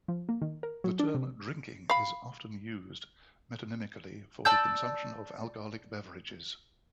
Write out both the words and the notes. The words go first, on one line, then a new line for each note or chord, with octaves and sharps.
The term "drinking" is often used metonymically for the consumption of alcoholic beverages.
F3
A#3
D#3
A#4
F#3
D4
C3
F5 B5
D5 A5 E6 G6